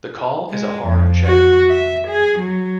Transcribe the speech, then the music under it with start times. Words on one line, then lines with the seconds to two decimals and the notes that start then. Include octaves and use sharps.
The call is a hard "check".
0.51 G#3
0.86 F2
1.26 F#4
1.69 E5
2.08 G#4
2.40 F#3